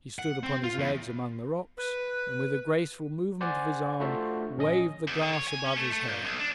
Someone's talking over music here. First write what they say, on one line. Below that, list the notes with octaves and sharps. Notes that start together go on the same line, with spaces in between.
He stood upon his legs among the rocks, and with a graceful movement of his arm, waved the glass above his head.
F#5
C4
F4
E2
B4
C5 D5 F#5 G#5 D6
A3 D4 F4 F#4 C5 E5
A#1 C#4 D#5 D#6
E2
D3
C#5
G#5
C#4
A3
A3
A#2
B1
D4